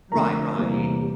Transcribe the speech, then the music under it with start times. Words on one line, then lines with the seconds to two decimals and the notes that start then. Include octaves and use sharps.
Right, right.
0.11 F2 D3 A3 A#4 A#5
0.56 E2 C3 G3 A#3
1.01 G3